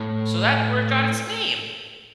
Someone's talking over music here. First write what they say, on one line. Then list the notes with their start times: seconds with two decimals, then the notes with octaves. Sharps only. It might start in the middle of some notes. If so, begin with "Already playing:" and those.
so that's where it got its name.
Already playing: A2